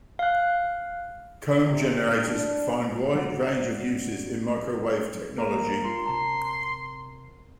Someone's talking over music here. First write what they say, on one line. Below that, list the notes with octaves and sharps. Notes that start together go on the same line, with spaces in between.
Comb generators find wide range of uses in microwave technology.
F5 F#6
C3
D4
F#3 C#4 F#4 D5 F#5
A#3 A#4
F4 C6
C3 A5 A#5